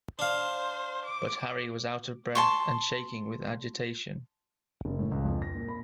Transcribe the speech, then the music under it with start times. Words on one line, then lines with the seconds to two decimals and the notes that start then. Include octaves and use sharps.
But Harry was out of breath and shaking with agitation.
0.19 D4 C5 F5
1.05 D6
2.35 A5 C6 C#6
4.85 F#1
4.99 A2
5.12 C#2
5.25 F2
5.42 A#6
5.55 A#2
5.68 B5